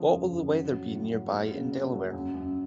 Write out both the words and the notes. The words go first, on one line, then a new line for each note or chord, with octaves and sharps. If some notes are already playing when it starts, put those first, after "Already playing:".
What will the weather be nearby in Delaware?
Already playing: C#3 F3
F#2
F#2
F#3
F#3
A2
F#3
A#3
C#3
C#4
F#3
F#2
F#2